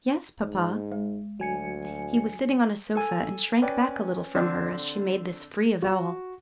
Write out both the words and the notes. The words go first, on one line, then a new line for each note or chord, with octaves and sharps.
"Yes, papa." He was sitting on a sofa and shrank back a little from her as she made this free avowal.
G#2
G#3
D2 F#3 G#5 C#7
A4 G#5
C#4 B4 D5 G5
D3 C4 D4 A4
F#4